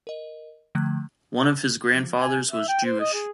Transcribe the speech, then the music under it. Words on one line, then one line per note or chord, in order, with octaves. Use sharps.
One of his grandfathers was Jewish.
A#4 D#5
D3 F3 A3 F#6 G#6
F3
G#5
E5
G5
C5
D#5
G#4